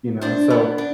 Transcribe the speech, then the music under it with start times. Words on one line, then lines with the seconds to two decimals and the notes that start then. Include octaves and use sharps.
You know? So
0.21 D4 C5
0.50 B3
0.78 D4